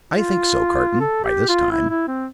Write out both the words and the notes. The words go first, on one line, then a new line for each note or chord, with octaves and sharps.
"I think so, Carton, by this time."
F4
A4
G4
F4
E4
E4
C4